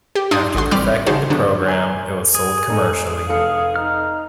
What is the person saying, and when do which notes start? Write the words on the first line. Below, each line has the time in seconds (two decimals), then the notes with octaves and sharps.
After perfecting the program, it was sold commercially.
0.15 G4
0.31 D4 D#4 C6 D#6
0.55 G#1 D3 F#4 C6
0.71 A1 G3 C4 B5 D6 F6
1.06 D#4 F#4 G#4 C5 A5
1.30 D3 F#3 B3 D4
1.68 G#5 A#5
2.35 G#4
2.70 G#3 D#4 A4
3.29 F1 A4 F5 C#7
3.76 D#4 F6